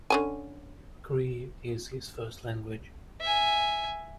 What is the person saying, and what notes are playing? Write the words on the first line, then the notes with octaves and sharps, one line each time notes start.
Cree is his first language.
D3 C#4 G#5
E5 G#5